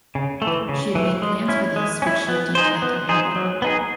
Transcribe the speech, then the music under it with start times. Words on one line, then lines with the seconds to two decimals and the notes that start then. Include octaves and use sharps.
She had made plans for this which she had detailed in her will.
0.15 C#3
0.42 A3
0.47 E3
0.69 C#3
0.95 E3 A3
1.22 G#3
1.48 C#4 E4
1.76 G#3
2.02 C#4
2.07 E4
2.28 B3
2.55 D#4 G#4 C5
2.82 B3
3.09 D#4 G#4 C5
3.36 F#3
3.62 B3 D#4 G#4